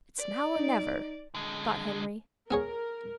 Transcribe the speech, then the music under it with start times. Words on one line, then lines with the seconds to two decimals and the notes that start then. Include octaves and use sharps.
"It's now or never," thought Henry.
0.19 D5
0.56 D#4
1.35 D3 G#3
2.51 B3 G#4 A#4 C#5